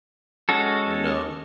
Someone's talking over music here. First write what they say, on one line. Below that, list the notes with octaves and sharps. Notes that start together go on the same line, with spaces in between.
And um
G#3 C#4 F#4 A4